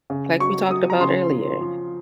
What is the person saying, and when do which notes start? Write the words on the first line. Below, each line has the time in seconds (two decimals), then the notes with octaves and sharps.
like we talked about earlier,
0.10 C#3
0.40 F#3 C#6
0.70 F#3 D#6
0.90 A#5
1.00 C#3 C6
1.30 F3
1.61 F3